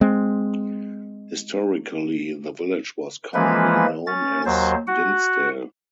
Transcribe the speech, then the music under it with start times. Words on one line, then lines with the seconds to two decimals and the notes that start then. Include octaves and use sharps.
Historically the village was commonly known as Dinsdale.
0.01 G#3 C4
3.34 E3 F3 G#3 A#3 B4
4.07 C#4 A6
4.46 D#2 F#3 C5
4.87 F#4 F#5